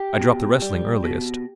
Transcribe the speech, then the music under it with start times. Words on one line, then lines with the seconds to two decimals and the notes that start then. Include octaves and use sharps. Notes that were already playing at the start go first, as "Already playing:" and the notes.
I dropped the wrestling earliest.
Already playing: G4
0.19 B2
0.62 G3
1.04 B2